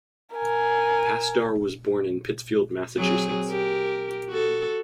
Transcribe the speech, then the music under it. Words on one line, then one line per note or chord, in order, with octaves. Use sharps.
Pasdar was born in Pittsfield, Massachusetts.
A#4 G#5
F#3 C4 G#4
G4 A#4
F#4 A4